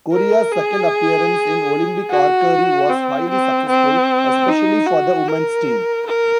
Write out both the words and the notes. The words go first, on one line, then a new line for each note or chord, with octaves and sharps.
Korea's second appearance in Olympic archery was highly successful, especially for the women's team.
A#4
G#4
F#4
C4
C4
C4
D#4
F#4
A#4
A#4